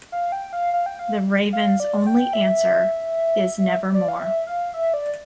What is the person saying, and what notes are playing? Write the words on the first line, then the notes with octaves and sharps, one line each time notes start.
The raven's only answer is "Nevermore".
F5
G5
F5
F5
G5
F5
F5
D5
G5
E5
D5
F5
E5
F5
E5
D5